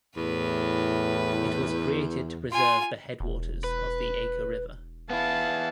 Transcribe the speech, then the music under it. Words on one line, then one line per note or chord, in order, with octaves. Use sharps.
It was created to preserve the headwaters of the Acre River.
E2 A2 B4
F4 G#5 C6
E1
B4
B3 E4 F5 A5